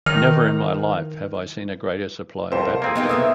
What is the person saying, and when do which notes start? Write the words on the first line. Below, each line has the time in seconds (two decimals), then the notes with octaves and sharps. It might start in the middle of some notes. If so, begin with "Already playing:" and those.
Never in my life have I seen a greater supply of batteries.
0.06 D#3 F6
2.52 C2 F2 A4 A#4 C5
2.82 A#3 C4 G#4
2.96 B3 D#4 G4
3.09 A3 B3 D#4 D#6 E6